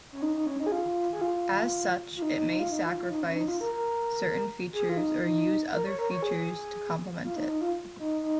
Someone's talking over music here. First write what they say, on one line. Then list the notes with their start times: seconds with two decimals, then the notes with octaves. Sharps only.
As such, it may sacrifice certain features, or use other features to complement it.
0.12 C#4
0.22 D#4
0.35 D#4
0.46 C#4
0.60 D#4
0.67 G#4
0.72 F4
1.13 G#4
1.21 F4
2.17 F4
2.22 D#4
2.35 D#4
2.48 D#4
2.60 F4
2.72 D#4
2.85 F4
2.97 F4
3.10 D#4
3.22 C#4
3.35 D#4
3.48 F4
3.61 A#4
3.73 A#4
4.73 G#4
4.89 F4
4.97 D#4
5.23 D#4
5.73 A#4
5.86 C#5
5.98 A#4
6.11 C#5
6.23 G#4
7.24 F4
7.36 D#4
7.48 D#4
7.61 F4
7.99 D#4
8.23 D#4